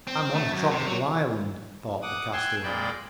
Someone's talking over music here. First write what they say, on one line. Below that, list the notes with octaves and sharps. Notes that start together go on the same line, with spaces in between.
"I'm on a tropical island," thought the castaway.
C4
A3
F#2
C3
F#3
F#5 D6 D#6
G5 G#5 C6 E6 F#6
A#2 G#3 D5 G5 B5